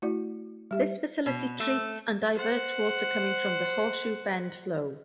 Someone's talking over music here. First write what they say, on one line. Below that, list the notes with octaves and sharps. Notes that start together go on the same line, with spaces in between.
This facility treats and diverts water coming from the Horseshoe Bend flow.
A3 E4 F#4 D5
G3 G4 E5
B2
A3
C5 F#5